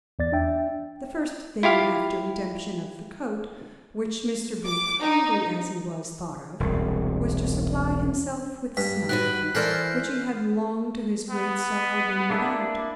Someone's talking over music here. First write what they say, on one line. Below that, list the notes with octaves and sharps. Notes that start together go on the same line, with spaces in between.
The first thing after redemption of the coat, which Mr. Booth, hungry as he was, thought of, was to supply himself with snuff, which he had long, to his great sorrow, been without.
E2 D5 A6
D4 E5 G5
E4 F4 G4 F5
D6
D#4
E1 C2
G2 B6
D#3 F#4 B4 F#6 B6
E3 A4 A#4 C5 D5 F6 G6 C7
B3
A#3 D4 E4